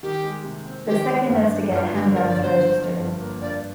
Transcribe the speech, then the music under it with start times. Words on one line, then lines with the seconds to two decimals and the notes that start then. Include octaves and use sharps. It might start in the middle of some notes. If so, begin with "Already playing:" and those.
The second is to get handguns registered.
0.03 D#3 G4
0.24 G#3
0.44 C3
0.65 C4
0.87 D#3 G4
1.08 G#3
1.29 G2
1.51 D4
1.72 G2 F4
1.93 D3 G4
2.14 G1 A#4
2.29 D5
2.36 G1
2.42 C5
2.56 D3
2.78 F3
2.99 G2
3.20 A#3
3.41 G2 D5